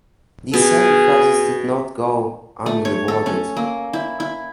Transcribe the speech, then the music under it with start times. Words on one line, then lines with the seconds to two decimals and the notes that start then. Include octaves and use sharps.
These sacrifices did not go unrewarded.
0.54 B2 G#4
2.66 A3
2.85 C#5
3.08 A4
3.26 C#4
3.56 A#3
3.93 E4
4.20 E4